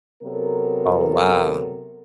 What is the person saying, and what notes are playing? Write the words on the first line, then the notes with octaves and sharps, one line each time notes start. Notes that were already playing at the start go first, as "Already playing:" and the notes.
Oh, wow.
C3 F#3 B3 A4 A#4